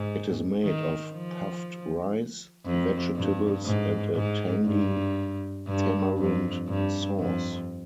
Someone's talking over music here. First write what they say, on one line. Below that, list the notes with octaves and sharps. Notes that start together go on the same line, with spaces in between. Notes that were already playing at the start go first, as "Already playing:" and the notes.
It is made of puffed rice, vegetables and a tangy tamarind sauce.
Already playing: G#2
D#3
F3
F2
G2
G#2
G#2
G2
G2
F2
G2
F2